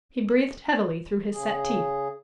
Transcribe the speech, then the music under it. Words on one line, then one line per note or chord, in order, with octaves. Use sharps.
He breathed heavily through his set teeth.
C#3 G#4